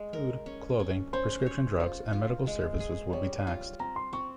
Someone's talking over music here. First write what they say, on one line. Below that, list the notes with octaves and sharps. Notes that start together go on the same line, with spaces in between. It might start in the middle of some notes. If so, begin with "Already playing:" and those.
Food, clothing, prescription drugs and medical services would be taxed.
Already playing: G#3
A#4
C#4
C#4
C#4 C5
C#5
F4 C5
F4
G#3
G#4
G3 C#5
F4
C4 A#5
C6
C4 C#6